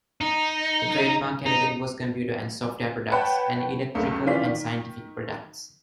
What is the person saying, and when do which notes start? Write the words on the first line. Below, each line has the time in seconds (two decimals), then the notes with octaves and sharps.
The trademark category was Computer and Software Products and Electrical and Scientific Products.
0.21 D#4
1.46 D#4
3.12 B4 C#5 F#5 G5 A5 B5
3.95 C#2 F#2 A3 A#3
4.25 D#3 E3 C#4 F4 D5 B6
4.44 D#3